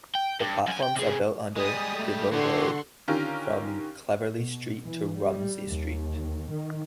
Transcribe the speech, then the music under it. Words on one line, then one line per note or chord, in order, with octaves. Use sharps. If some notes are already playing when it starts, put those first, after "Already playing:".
The platforms are built under Des Voeux Road from Cleverly Street to Rumsey Street.
G5
G2
F#2 G#5
G5
C3 G#4
G3 G#3 G#5 D#6
A3
D3 E3 G4 F#5 C6 C#6
D3 D#3 C#4 F4 G4 A#4
B2
E3
G3
D#2
D#3